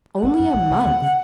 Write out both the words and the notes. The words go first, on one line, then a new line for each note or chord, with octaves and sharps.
Only a month!
G#1 G#2 F#5
F#2
A#1 A#2
C2 C3
D#2 D#3
C#3